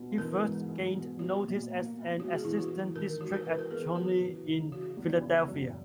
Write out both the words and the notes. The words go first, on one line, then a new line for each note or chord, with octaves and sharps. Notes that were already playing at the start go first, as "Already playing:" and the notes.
He first gained notice as an assistant district attorney in Philadelphia.
Already playing: B2
E3 A#4
G#2
G#3
B2
F#3 F#4
A#2
A#3
B2
G#3 F#4
G#4
E3 E4
F#4
G#3
D#3 A#4
G#3 F#4
A#4
E3 B4
A#4
B3 G#4
F#3 F#4
E3
C#3
C#3 F#4
E2
C#3
F#2